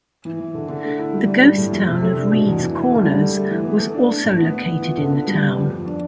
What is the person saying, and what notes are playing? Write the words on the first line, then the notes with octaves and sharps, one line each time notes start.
The ghost town of Reeds Corners was also located in the town.
E3
E3
D3
D3
A3
E4
G3
D4
G3
A2
F2
C3
A3
D4
B2
E2
E3
E3
D3
G3
A3
A3
E3
B3
A3
D4
D4
A2
B3
B3
E3
F4
D3
B3
G3
B3
F2
F2
D4